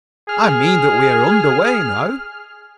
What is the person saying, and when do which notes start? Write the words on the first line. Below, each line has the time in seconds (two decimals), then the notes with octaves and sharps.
"I mean that we're under way now."
0.29 G#4 F6